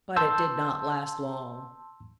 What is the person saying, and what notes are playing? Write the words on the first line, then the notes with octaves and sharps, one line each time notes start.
But it did not last long.
A5 C6 E6 G6